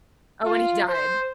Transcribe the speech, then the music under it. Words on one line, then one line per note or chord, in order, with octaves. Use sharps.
oh, and he died.
F4
C5